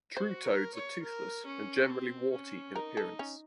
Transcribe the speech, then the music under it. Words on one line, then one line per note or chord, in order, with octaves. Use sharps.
True toads are toothless and generally warty in appearance.
F#4 C5
A#4
C#5
A#4
C#4
C4
C#4
D#4 A#4
A4
C#4